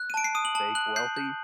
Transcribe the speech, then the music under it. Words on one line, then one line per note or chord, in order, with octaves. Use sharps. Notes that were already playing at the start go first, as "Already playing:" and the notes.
fake wealthy.
Already playing: F#6
D#7
A5 D7
C7
D#6 D#7
F#7
A5 F#7
F#6 F#7
G6 C7
G6